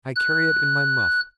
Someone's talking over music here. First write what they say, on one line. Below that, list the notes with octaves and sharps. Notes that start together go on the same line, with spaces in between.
I carry it in my muff.
F#6